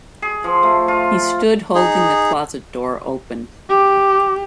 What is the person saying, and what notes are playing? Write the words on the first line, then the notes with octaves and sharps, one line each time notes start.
He stood holding the closet door open.
G#4
F3
A3
F4
D#4 G#4
G4 D6